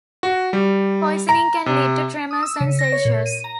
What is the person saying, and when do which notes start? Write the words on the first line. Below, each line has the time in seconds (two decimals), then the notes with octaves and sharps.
Poisoning can lead to tremors and seizures.
0.23 F#4
0.53 G3
1.29 A#5
1.66 C3
2.31 D#6
2.42 E6
2.60 C#3
2.79 A#6
2.92 C#5
3.05 A#2
3.26 D#7
3.44 A#5